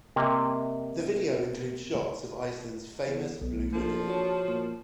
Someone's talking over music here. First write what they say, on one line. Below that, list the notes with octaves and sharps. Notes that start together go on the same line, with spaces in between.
The video includes shots of Iceland's famous Blue Lagoon.
C3 A#3 D#5 G5
E2
B1 B3
A#1 F3 A#3 A4
F#4 C#5 A5
A#2